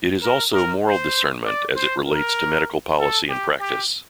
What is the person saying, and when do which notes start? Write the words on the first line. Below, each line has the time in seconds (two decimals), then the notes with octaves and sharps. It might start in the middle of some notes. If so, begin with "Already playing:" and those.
It is also moral discernment as it relates to medical policy and practice.
0.22 A#4
0.53 A#4
0.84 C5
1.45 D5
1.76 C5
2.06 A#4
2.98 A4
3.29 G4
3.59 G4